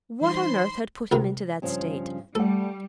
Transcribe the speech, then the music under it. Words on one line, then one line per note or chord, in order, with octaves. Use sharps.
What on earth had put him into that state?
E3 G3 D#4 C5 B5 C6
C#2 C3 A#4
G2 C#3 F3
G3 A3 A4 F#5